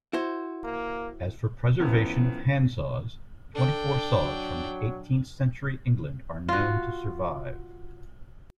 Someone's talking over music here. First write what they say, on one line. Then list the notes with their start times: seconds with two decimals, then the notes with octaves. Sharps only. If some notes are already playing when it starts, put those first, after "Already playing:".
As for preservation of handsaws, twenty-four saws from eighteenth-century England are known to survive.
0.13 E4 F#4 C5
0.64 A#3
1.79 F#2 A2 E3 F3 B3
3.55 D4 A4 G5
4.21 F#3
6.49 F4 F#4